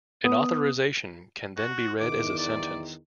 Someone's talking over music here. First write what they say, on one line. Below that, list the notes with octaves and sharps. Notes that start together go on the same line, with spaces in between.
An authorization can then be read as a sentence.
B3 D#6
F#4
E2 D#3 D6
D5